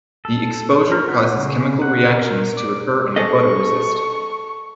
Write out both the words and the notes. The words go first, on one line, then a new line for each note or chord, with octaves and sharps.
The exposure causes chemical reactions to occur in the photoresist.
A4
A#4
B3
C#3
F#5
A#4
D5
G#4 A4 D#5 C#6